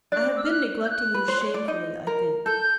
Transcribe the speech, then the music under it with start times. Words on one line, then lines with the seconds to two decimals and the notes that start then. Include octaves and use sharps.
I have been neglecting you shamefully, I think.
0.12 D4 D5 F#6
0.37 E6
0.44 F6
0.51 F#6
0.84 G6
0.90 F#6
1.14 B4
1.28 C5
1.41 C#5
1.54 D5
1.68 D#4 D#5
2.07 A#4
2.46 A4 G6